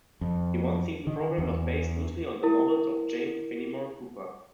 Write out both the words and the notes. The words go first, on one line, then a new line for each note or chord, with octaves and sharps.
The one-season program was based loosely on the novels of James Fenimore Cooper.
F2
D#3
E2
E4 A#4